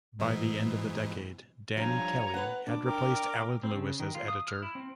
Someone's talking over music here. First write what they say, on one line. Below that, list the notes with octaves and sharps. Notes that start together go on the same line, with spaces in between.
By the end of the decade, Danny Kelly had replaced Alan Lewis as editor.
G#2 B2 E3
G2 F3 G3 C#5 G#5 A#5
B4 F#5
D4 D6
A#4 G5 D6
C4
C#3
D#3
F4
D#6
F6
E4
C4